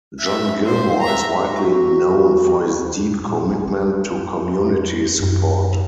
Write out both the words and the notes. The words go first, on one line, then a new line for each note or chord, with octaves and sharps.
John Gilmore is widely known for his deep commitment to community support.
E5
C5
E5 A#5
F#4
A#2
A3
D#4
F2
F#2